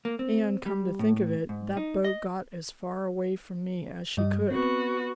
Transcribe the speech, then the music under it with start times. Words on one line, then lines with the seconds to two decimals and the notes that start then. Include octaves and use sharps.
"And, come to think of it, that boat got as far away from me as she could."
0.05 A#3
0.19 C4
0.66 G3
0.99 A2
1.49 G#2
1.77 D#4
2.05 D#5
4.17 G2 G3 D#5
4.51 B3 C4 F#4